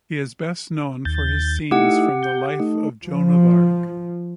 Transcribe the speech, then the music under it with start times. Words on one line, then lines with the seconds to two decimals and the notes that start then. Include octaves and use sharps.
He is best known for his scenes from the life of Joan of Arc.
1.05 D#2 G6 A6
1.71 A3 D#4 E4 G4 F#5
2.23 G6
2.60 A3 D#4
3.04 F3